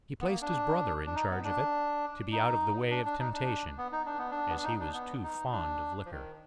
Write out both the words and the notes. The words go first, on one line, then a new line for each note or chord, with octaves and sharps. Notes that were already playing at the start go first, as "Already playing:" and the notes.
He placed his brother in charge of it, to be out of the way of temptation, as he was too fond of liquor.
B3
A#3
D4
D4
D#4
B3
D4
D#4
D4
D4
D#4
D4
B3
D#4
D4
B3
D4
B3
D4
D#4
D4
B3
D#4
D4
F3
D#3